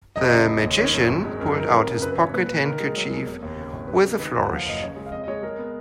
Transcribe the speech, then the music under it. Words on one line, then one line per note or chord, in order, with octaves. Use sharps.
The magician pulled out his pocket handkerchief with a flourish.
F1 D#5
C#3
F1
D#2
D#3 C#5
F#2
G#1
G#3
F#2 A#4
D#3 A#4
F2
C#3
A#4
F#2 B4
B4
G#1 C#5
A#2 B4
A#2 B4
D#3 A#4
G#3
F#3
B3
F1
D#2
C#3
G#1
F#3 B4
C#3
D#3 B4
D#2
F#5
F3
F5
F#1 D#5
C#3 C#5
G#3
F5
F2 D#5
D#5
G#3 C#5
G#3 A#4
B3